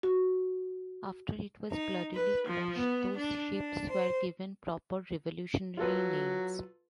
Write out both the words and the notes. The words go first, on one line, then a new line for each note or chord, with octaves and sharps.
After it was bloodily crushed, those ships were given proper 'revolutionary' names.
F#4
D#4
B4
F3
B3
D4
D4
C5
F#3 F4 A4 B4